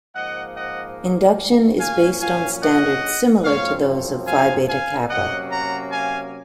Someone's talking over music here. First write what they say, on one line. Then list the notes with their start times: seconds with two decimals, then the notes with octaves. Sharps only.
Induction is based on standards similar to those of Phi Beta Kappa.
0.15 G#2 F3 A#3 D#5 F#5
0.56 D#5 F#5
1.80 A#2 F#3 C#4 F5 G#5
2.22 F5 G#5
2.62 D#5 F#5
3.45 F#2 F3 C4 C#5 F5
4.27 F5 G#5
4.69 F5 G#5
5.10 C3 F#3 A#3 C#4 D#5 F#5
5.51 F#5 A#5
5.92 F5 G#5